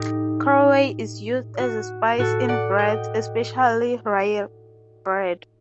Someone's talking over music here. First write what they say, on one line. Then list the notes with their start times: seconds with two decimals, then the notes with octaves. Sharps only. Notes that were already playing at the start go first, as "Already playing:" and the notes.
Caraway is used as a spice in breads, especially rye bread.
Already playing: A2 D#4 G4
1.60 F#4
2.18 A2 F#4 A4
2.49 D5 F#5
2.79 D#5 G5